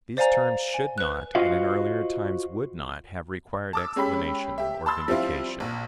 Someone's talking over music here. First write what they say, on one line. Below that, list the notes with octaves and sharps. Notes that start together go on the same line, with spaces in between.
These terms should not, and in earlier times would not, have required explanation or vindication.
C5 D5 F5 G#5 A#5
G#5
B4 F#6
F4 F#4 C5 D#5 F5
A5 D6 E6
G#3 C#4 G4 B5 B6
G4 E5
A5 B5 C6 E6 A6
F3 G3 C4 E4 F4
A#1